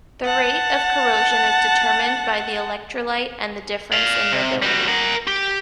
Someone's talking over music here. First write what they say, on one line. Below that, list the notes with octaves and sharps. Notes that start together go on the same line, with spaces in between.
The rate of corrosion is determined by the electrolyte and the difference in nobility.
F#5 A5
D5 F5
C3
G3 F#4
A#4 F#5
G4